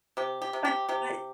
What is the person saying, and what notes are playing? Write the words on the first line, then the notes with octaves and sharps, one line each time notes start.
But but
C3 G4
G4
C3
G4
C3 G4